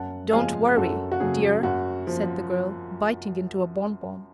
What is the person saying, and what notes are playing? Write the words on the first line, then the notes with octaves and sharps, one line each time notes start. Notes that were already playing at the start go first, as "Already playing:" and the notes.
"Don't worry, dear," said the girl, biting into a bonbon.
Already playing: F#2 F#5 A5
F3 G#3 F5 G#5
F#2 F#4 A4
F#4
C#3 F#3 G#4
F#2 F#4
F3